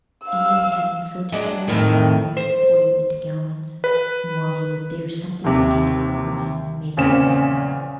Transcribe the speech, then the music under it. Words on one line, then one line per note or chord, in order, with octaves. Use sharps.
And yet he had been so determined this morning, before he went to Gawaine's; and while he was there something had taken hold of him and made him gallop back.
F5 E6
F#3 G#3 D4
F2 A2 D#3
C5
B4
D#2 C3
E2 A#2 C#3 C4 C#4 E7